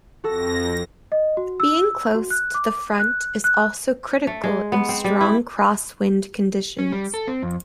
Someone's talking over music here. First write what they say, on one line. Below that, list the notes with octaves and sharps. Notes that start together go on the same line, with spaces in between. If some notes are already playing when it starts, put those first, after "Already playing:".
Being close to the front is also critical in strong crosswind conditions.
F2 F#4 A4 A#6
D#5
F#4
E6
F#4
F#6
D6
F#6
F#6
A3
G#3
B3
C4
G3
E4
C#4
G3
A4
C4
F2